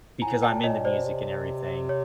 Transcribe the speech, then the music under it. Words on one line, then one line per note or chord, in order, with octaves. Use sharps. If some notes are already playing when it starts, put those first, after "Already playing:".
because I'm into music and everything,
A2 G#5 A#5
A#2 G5 A5
A#2 C#5 D#5
B2 C5 D5
C3
C#5